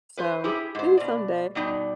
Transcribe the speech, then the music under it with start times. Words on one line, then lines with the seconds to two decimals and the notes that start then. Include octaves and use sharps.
So, maybe someday.
0.17 B4 C5
0.44 E4 G4 G#4
0.75 G#2 C5
0.97 B2 D5
1.55 B2 G3 D#4 D5